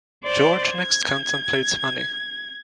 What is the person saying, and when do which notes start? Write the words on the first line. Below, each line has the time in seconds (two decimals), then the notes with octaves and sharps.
George next contemplates money.
0.25 C5 D5
0.73 G#6